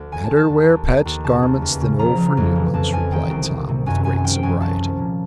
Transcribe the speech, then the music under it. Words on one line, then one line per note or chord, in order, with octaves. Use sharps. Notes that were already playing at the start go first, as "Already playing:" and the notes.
"Better wear patched garments than owe for new ones," replied Tom, with great sobriety.
Already playing: D2
D#3 G#5
A5
D#3
A5
D#2
D#2
D#2
D#2
C#3 A5
D#2
E2
C#3
F3 A#5
F3
F2
E3
F2 A5
F2 G#5
D#3 G5
C2
C2
C3
F#2 G#5
F#2 G#5
G#5
F3 G5
F#2 G#5
C2 A5
F3
A#2